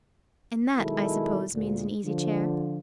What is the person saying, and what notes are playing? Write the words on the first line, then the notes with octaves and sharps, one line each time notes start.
"And that, I suppose, means an easy-chair?"
B2 D#3 F#3 G#3 E4 A4
D2 A#2
D3 F3